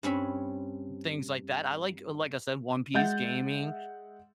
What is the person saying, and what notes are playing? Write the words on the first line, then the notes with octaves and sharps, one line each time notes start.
things like that. I like like I said, One Piece, gaming,
G2 C4 C#4 B5
G#3 E5 F#5 G6 A6